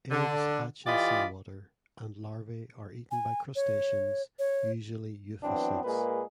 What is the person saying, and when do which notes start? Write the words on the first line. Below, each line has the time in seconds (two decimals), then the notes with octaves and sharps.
Eggs hatch in seawater, and larvae are eaten by crustaceans, usually euphausids.
0.11 D3
0.86 E3 F4 G4 D5 D#5 B5
3.11 G#5
3.56 C#5
4.39 C#5
5.43 E3 F#3 B3 C4 D4
5.83 A#2 G#3 A#3 G#4 B4